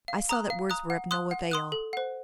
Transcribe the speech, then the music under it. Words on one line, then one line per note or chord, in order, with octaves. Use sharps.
I saw that words were of no avail.
F5
A#5 D#6 F#6
F5
A#5 D#6 F#6
F#5
C6 D#6 F#6
F#5
C6 D#6 F#6
A4
C5 F#5